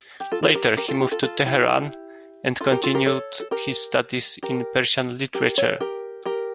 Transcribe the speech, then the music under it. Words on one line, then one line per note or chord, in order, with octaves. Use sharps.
Later, he moved to Tehran and continued his studies in Persian literature.
G4
F4 A4
F4 A4
G4 A#4
G4 A#4
F4 A4
E4 G4
F4 A4
F4 A4
E4 G4
F4 A4
G4 A#4
F4 A4
G4 A#4
A4 C#5
A4
G4 A#4
G4 A#4
G4 A#4
A4 C#5
A4
G4 A#4
G4 A#4